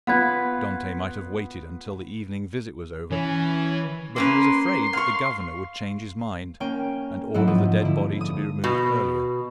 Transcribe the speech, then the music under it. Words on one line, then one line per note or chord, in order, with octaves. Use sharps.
Dantes might have waited until the evening visit was over, but he was afraid that the governor would change his mind, and order the dead body to be removed earlier.
B3 F4 B4 F#5 B5 G#6
E3 C#4
A#3 C#4 B4 C6
F5 C#6
A#3 C#4 G5
G#2 F#3 E4
F3
D3 E4
D#6
B2